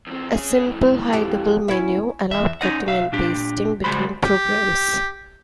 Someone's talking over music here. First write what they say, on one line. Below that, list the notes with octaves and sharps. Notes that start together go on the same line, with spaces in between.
A simple hideable menu allowed cutting and pasting between programs.
E2 C4
C#4 G#4
G#2 E3
F2 G4
C#4 E4
E2 E5
C#4 D#4 D#5 F#5
B1 E5 F5
A#2 D4 G4
C#2 G3 G#3 F#4 C5 B5
G4